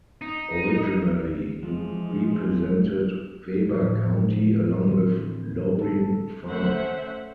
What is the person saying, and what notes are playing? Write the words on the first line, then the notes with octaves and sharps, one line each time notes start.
Originally, he represented Weber County along with Lorin Farr.
D#4
E3 F3 G#3
A2 D3 F3
D3 E3 C4
A4
A3 C#4 C5 E5 F#5